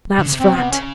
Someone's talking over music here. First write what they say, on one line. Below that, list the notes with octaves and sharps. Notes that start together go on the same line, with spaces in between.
That's flat.'
D3
C#3
C3
B2 C4
C3 B3
C#3 C#4